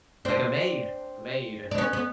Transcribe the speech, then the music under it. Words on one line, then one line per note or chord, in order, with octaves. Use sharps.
Like a maid a maid, uh, that's, um
C4 D4
D4
B3 C#4
B3